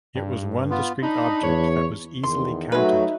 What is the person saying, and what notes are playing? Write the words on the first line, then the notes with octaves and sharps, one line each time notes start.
It was one discrete object that was easily counted.
G2
B3 F4
D4 D#4 B5
E2 C#5
E2 D#3 C6
F#3 G#3 A3 D#4 F#4 B4 E5